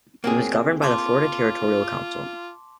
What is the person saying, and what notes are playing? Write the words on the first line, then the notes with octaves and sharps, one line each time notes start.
It was governed by the Florida Territorial Council.
F#3 A#3 C4 G#4
F4 A5 C6 D6